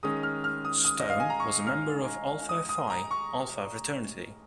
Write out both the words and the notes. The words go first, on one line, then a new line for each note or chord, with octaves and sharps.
Stone was a member of Alpha Phi Alpha fraternity.
D#3 G#3 C#4 D#6
F6
F6
D#6
D#6
D#5
F5
G#5
A#5
C#6
F6
D#6
D#6
A#5
C#6